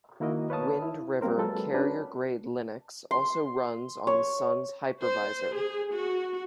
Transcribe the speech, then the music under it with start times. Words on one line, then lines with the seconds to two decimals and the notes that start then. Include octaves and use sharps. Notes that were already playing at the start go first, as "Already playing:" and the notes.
Wind River "Carrier Grade Linux" also runs on Sun's Hypervisor.
0.20 D#3 A#3 E4 F#4 A#4 D#5
0.50 B4 C#5 F5 A5 D#6
0.82 E4
1.21 G3 A#3 C4 A#4 C5
1.38 F#3 G#3 F4 A4 B4
1.74 C#4 D4 F#4 A#4 B4
3.11 C6
4.07 C#5
5.02 C5
5.56 G#4
5.95 F#4